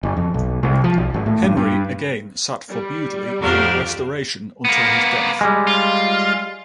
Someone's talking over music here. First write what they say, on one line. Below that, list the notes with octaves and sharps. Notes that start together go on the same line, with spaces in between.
Henry again sat for Bewdley from the Restoration until his death.
F#1
F2
B1
C2
F3
B1
G#1
A2
G2
G2
G3
F2 D4 F#4 G4 A#4 F5
A#3 B3
G3 G#3
F4